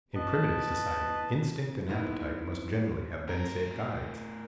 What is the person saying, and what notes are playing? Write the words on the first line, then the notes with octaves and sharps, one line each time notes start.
In primitive society instinct and appetite must generally have been safe guides.
B4 D#5 A5
F#3 G#3 A#3 B3 D#4 E4
A2 A#4